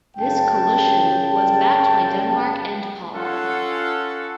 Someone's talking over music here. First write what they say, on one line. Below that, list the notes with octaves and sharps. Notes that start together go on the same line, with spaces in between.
This coalition was backed by Denmark and Poland.
F#2 C#3 G5 A5
C#4 F4 A4 F#5